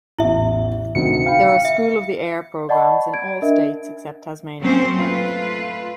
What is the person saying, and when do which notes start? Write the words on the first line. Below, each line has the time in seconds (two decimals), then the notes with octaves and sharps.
There are School of the Air programmes in all states except Tasmania.
0.19 A1 E2 E4 E5
0.95 D2 C3 D#3 C#7
1.26 F5 G5 B5
1.65 E5
2.69 D5 D#5 F#5 A5 B5 C#6
3.14 G#6 D7
3.42 D4 A#4 D#5 E5
4.60 F#3 A#3 C4 C#4 C5
4.96 A3 F4 B4